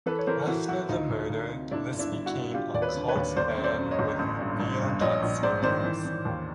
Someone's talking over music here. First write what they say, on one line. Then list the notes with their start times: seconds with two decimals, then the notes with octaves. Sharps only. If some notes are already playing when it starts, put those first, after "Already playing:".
After the murder, this became a cult band with Neo-Nazi groups.
0.06 E3 A4 B4
0.18 C#5
0.27 E3 A#4 C5
0.47 E3 E4 F#4
0.68 E3 E4 F#4
0.89 D2 D#4 F4
1.10 D2
1.30 D2
1.51 C3
1.71 G1 D4 E4
1.93 G2
1.99 D4 E4
2.12 G1
2.26 E4 F#4
2.33 G2
2.54 D3 F4 G4
2.74 D#2 D5
2.81 B4 C#5
2.95 D3
3.08 B4 C#5
3.16 D#2
3.36 G1 C5 D5
3.57 F#2
3.63 C5 D5
3.78 F#2
3.91 C#5 D#5
3.99 G1
4.19 A1
4.39 G2
4.60 A1
4.81 G2
5.01 A#1 C#5 D#5
5.22 A#1
5.42 G#2 C5 D5
5.63 D#3 C5 D5
5.84 E3
6.05 E3
6.25 D#2